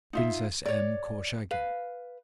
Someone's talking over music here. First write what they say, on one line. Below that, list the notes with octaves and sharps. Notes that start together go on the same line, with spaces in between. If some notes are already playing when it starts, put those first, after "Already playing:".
Princess M. Korchagin.
D#4 F4 E5
C#5 D5
B4 F5